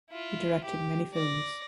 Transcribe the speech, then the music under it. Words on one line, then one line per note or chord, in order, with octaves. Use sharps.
He directed many films.
E4 F4
G4
D5 A#6